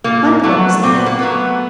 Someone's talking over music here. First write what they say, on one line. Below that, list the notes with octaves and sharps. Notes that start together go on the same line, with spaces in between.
Mind the bottom step.
A#2 A#3
F#3 A3 B3
A#2 C4
B3
A#3
F#3 A3 B3